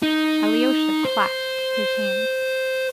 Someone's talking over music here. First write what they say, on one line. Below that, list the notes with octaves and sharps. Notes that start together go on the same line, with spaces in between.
Alyosha clasped his hands.
D#4
C5